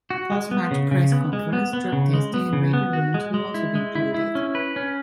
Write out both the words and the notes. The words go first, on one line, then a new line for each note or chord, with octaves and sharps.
Post-match press conference, drug testing, and radio rooms will also be included.
F#4
G#3
B3
C#3
C#3
B3
G#3
B3
B3
C#3
G#3
B3
C#3
B3
F#4
G#3
G#3
E4
G#3
E4
E4
C#4
B4
C#4